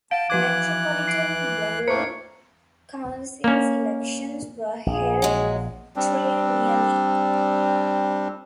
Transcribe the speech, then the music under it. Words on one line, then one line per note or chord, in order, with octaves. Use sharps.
Metropolitan borough councils elections were held triennially.
F5 F#5 A5 D7
E3 F3 B4 D6 F#6 G#6
C7 D7
A2 A3 A#3 C5 A#5 C#6 C#7
A#3 C#4
A#1 G#4
F#3 G#3
G3 C4 D4